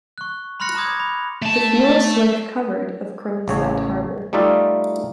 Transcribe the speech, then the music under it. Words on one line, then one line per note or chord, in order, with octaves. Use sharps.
The fuel slick covered of Kronstadt harbor.
C#6 F#6
B5 C6 F6 F#6 A#6 C#7
A#5 C6 D6 D#6 G#6
B5
A3 A5
A1 C#3 C#5
G3 A3 D#4 F4 D5 E5